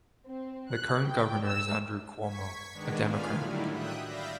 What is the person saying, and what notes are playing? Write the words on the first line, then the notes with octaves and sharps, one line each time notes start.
The current governor is Andrew Cuomo, a Democrat.
C4
F#6
G5
E6
C#6 G#6 B6
D#3 G#3 B3 D4
A2 F4 F5 G#5 B5 F6
A2 D3 D#3 F#3 G3 E4
E5 G5 D#6 F#6
D5 E5 F5 B5 G6 A#6